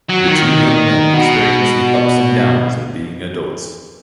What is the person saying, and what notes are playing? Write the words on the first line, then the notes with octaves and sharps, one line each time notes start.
The two young men experience the ups and downs of being adults.
F#3
D#3
B2